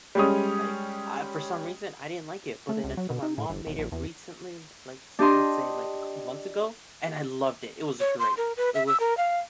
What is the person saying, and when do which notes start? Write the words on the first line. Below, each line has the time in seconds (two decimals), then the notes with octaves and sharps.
Like, I for some reason, I didn't like it. But then until my mom made it recently, like, let's say, like, a couple months ago, and I loved it. It was great. It was
0.15 G3 G#3 C#4 D#6
2.69 A3
2.84 C#2
2.97 F#3
3.10 B2
3.23 D#4
3.38 A2
3.50 G1
3.67 E1
3.79 A#1
3.92 E2
5.19 D4 G4 D#5 C6
8.00 C#5
8.19 C6
8.37 A#4
8.57 B4
8.74 E5
8.87 E6
9.00 A#4
9.17 F5